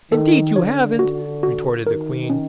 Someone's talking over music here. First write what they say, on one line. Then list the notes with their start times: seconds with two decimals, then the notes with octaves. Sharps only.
"Indeed you haven't!" retorted the Queen.
0.12 D#3 A4
0.56 D3 C#5
0.99 F#4
1.43 F#4
1.86 D#3 A#4
2.30 C#4